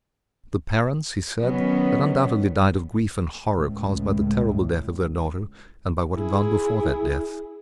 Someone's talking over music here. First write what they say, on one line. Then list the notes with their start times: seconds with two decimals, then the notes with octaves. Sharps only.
The parents, he said, had undoubtedly died of grief and horror caused by the terrible death of their daughter, and by what had gone before that death.
1.38 D#3 F#3 B3 C#4
3.50 C#2 A2
6.16 E4 G#4